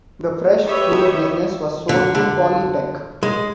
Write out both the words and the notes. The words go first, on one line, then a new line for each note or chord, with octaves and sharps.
The fresh fruit business was sold to Polly Peck.
G4 B4 C#5 D#5 E5
D3
D3
G#3